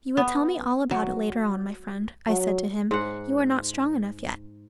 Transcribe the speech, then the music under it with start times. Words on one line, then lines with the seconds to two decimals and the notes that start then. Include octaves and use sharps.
"You will tell me all about it later on, my friend," I said to him; "you are not strong enough yet."
0.17 B3
0.91 F#3
2.28 F#3
2.91 G#2 F#5